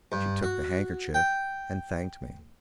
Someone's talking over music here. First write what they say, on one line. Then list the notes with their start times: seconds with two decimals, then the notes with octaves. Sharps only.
She took the handkerchief and thanked me....
0.12 G2
0.43 F#4
1.14 G5